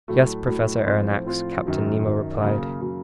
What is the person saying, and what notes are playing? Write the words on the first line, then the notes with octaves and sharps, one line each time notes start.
"Yes, Professor Aronnax," Captain Nemo replied.
A2 F#3 A3
A2 F#3 A3
A2 F3 C4 F4
A2 F3 C4 F4
F#2 D#3 F#3
F#2 D#3 F#3
C#3 F#3 A#3
C#3 F#3 A#3